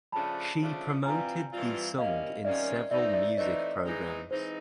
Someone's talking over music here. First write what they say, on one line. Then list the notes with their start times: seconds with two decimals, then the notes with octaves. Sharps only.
She promoted the song in several music programs.
0.12 C#3 F3 A3 D4 A5 B5
0.59 C#3 F3 A3 D4
1.05 G2 E3 G3 C4 F4 G#5 A#5
1.52 G2 E3 G3 C4 F4
1.98 C3 D#3 G3 A#3 C#4 D#5 F5
2.45 C3 D#3 G3 A#3 C#4 D5 E5
2.91 E3 A3 C4 D#4 D5 E5
3.14 D5 E5
3.37 E3 A3 C4 D#4 C#5 D#5
3.84 E3 G#3 C4 D#4
4.30 E3 G#3 C4 D#4 C5